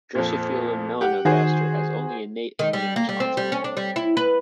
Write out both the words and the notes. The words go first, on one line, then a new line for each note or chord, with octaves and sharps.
"Drosophila melanogaster" has only innate immune responses.
F2 A#2
G4 F#5
D#3 F#4 G#4 C5
D#3
G3
A#3
G3
C4
G3
C#4
D4
G3
E4
B4